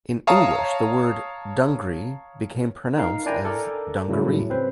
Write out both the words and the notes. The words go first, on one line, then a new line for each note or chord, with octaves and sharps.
In English, the word "dungri" became pronounced as "dungaree".
C#5 F5 A5 A#5 D#6
D#4 A#4 F5
D4 E4 D5 G5 G#5 A#5
A4 A#4 D5
A2 C#3 F#3 G3 E4
C4 B4 C5